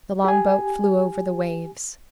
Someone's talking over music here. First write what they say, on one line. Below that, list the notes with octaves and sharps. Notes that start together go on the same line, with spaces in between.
The longboat flew over the waves.
G4 G#5